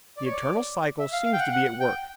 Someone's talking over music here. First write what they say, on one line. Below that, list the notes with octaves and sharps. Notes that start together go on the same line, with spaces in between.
The eternal cycle seems to be at work.
D5
C#5
D5
E5
F5
F5
G5
F#5
F#5
G5